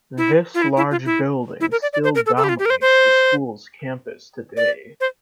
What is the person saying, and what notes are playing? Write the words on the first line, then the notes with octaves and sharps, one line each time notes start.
This large building still dominates the school's campus today.
E4
F4
E4
E4
F4
E4
E4
A#4
D5
D5
C5
A#4
A4
A4
G4
F4
G4
A#4
C5
C5
D5
C5